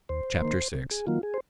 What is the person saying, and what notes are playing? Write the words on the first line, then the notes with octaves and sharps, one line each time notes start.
Chapter VI.
D#2 C5
D#3 A#3
C3
G#4
D#3 F#3 A#3 F4
G#4
C5